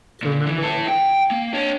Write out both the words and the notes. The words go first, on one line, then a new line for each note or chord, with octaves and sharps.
to remember,
A#2
E3
E4 A4
G5
A#3
D4 C#5